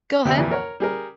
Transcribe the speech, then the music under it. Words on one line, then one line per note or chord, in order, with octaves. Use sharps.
Go ahead.
D2 C3 B3 E5 G5
F2 A#2 E3
A#4 C#5 F#5
G3 G#4 A#4